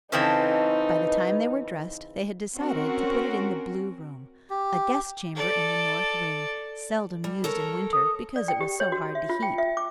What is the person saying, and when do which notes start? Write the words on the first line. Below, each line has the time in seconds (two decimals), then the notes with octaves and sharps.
By the time they were dressed, they had decided to put it in the blue room, a guest-chamber in the north wing, seldom used in winter, because it was so hard to heat.
0.12 C#3 E3 C4 D#4 A4 B4 C#5
2.56 C4 C#4 F#4 A#4
4.50 G4
5.35 A4 D5
7.24 G3
7.44 A4 A#4 C#5
7.93 D#6
8.36 D5
8.48 G5
8.61 G4
8.80 C#5
8.92 F#4
9.15 E5
9.29 F4
9.43 G5
9.58 E5
9.77 D6